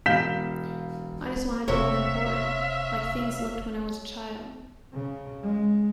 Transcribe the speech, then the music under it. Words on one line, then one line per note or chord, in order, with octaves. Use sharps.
I just wanted to look important, like things looked when I was a child.
E1 F5 G6 B6 E7
E1 C3 C#5 E5 F5 C#6
C#3
G#3